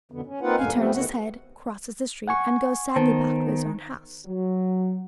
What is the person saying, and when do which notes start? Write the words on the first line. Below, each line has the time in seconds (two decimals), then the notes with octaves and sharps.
He turns his head, crosses the street, and goes sadly back to his own house.
0.12 F2 B2 D3 B3
0.26 C#4
0.41 A#3 C4 D#4 F4 B4 F#5
0.58 D2 G2 A#2 D3 F5 G#5
0.74 G#2 F3 G3 A3 B3 C4
0.93 D2 D3 D#3 B3 F#4 F#5
2.28 F#5 G#5 C#6
2.96 D#3 B3 C5 A5
4.26 F#3